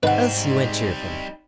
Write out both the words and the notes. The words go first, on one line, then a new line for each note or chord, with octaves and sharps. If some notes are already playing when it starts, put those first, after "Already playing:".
Elsie went cheerfully.
G#2 G3 C4 D#4 B4 F#5